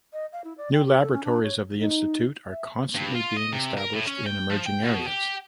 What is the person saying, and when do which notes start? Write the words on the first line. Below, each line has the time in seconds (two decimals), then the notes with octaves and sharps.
New laboratories of the institute are constantly being established in emerging areas.
0.13 D#5
0.33 F5
0.44 E4
0.58 D5
0.73 G5
0.86 G4
0.99 A4
1.13 C#4
1.24 D4
1.42 C#5
1.80 D#4
2.46 E5
2.95 G2
3.15 F4
3.37 D#5
3.52 C3
3.77 A#4
3.93 A2
4.07 C#4
4.26 G5
4.50 F3
4.66 G5
4.82 B2
5.06 G4